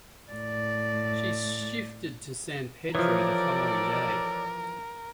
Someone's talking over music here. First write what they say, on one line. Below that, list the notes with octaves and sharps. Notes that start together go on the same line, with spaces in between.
She shifted to San Pedro the following day.
A2 D5
E3 F3 G3 A4 A#4 C#5 D5 D#6